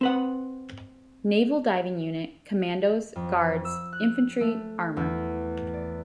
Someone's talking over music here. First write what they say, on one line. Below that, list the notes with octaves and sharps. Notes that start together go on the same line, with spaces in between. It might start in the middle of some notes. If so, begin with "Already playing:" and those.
Naval Diving Unit, Commandos, Guards, Infantry, Armour.
C4 B4 F#5
F2
E6
F#6
A3
E2
D5